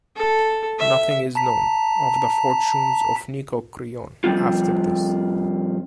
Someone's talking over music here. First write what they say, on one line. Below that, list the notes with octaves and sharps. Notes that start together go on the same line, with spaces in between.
Nothing is known of the fortunes of Nicocreon after this.
A4
E5
A5 A#5 B6
F2 G3 C4 F4